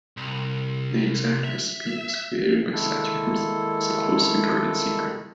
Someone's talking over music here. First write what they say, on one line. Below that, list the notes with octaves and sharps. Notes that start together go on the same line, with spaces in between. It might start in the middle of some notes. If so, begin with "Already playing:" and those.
The exact recipe as created by Sacher himself is a closely guarded secret.
C2
E5
D#3 G#3 A#3 E4 A4